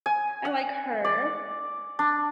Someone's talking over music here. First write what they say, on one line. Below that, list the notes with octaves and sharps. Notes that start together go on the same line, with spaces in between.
I like her.
G#5
F#5
D5
D4